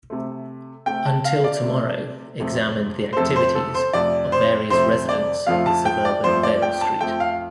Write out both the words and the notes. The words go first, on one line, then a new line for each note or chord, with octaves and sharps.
"Until Tomorrow" examined the activities of various residents of the suburban Vale Street.
C3 A3
C3 A3 G5
A5
F5
D5
C3 A3
F2 C3 A3
C5
F2 C3 A3 A4
C5
A4
C5
F2 C3 A3 D5
C5
F2 C3 A3 C5
D5
F2 F3 A3 F5
A5
G5
D5
F2 F3 A3 C5
D5
G5
A5
F2 F3 A3 G5
F5